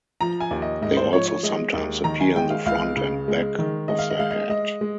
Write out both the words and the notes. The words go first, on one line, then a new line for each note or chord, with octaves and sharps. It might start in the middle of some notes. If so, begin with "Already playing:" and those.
They also sometimes appear in the front and back of the head.
F3 A#5
G#5
D#2
D#5
G#2 D#5
C5
F3 C#5
C#5
G#3 D#5
D#2
D#3 A#5
G#5
G#3 G5
F5
C#2 F5
C#3
G#3
D#3
G#3 D#5
F5
D#5
G#3 F5
D#5
G#3 D#5
G#3